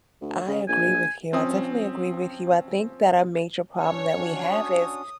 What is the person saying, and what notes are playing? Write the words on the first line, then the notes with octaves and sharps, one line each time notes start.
I agree with you, I definitely agree with you, I think that a major problem that we have is
D2
C#3
A#1 G#5
F3 C4 C#4 D#6
G2 C#4 D4 C#5
C#4 D4 F#4
D#6